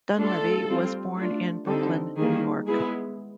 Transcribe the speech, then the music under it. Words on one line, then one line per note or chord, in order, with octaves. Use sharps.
Dunleavy was born in Brooklyn, New York.
A3 D4 F4 A4
G3 C4 F4
A3 D4 F4
D3 G3 C4 D#4 A4
D#3 G3 A#3 G#4
G#3 B3 E4 G#4